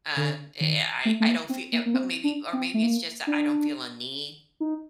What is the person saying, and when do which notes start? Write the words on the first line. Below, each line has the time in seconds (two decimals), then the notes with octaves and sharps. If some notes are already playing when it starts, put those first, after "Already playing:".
And eh, I I don't fee uh, maybe, or maybe it's just that I don't feel a need
0.17 D3
0.60 D#3
1.05 A3
1.20 A3
1.27 A#3
1.49 C4
1.72 A#3
1.86 A#3
1.94 C4
2.24 D4
2.53 C4
2.74 A3
2.83 A#3
3.27 D4
4.60 D#4